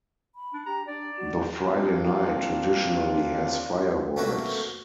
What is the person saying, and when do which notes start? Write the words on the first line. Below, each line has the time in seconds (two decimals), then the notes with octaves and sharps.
The Friday night traditionally has fireworks.
0.35 B5
0.53 D4
0.66 G4 A#5
0.87 D4 D5
1.17 F#4
1.63 A#3 C4 D4 F4 F5
4.16 A3 A#3 C4 C#4 F#4 B4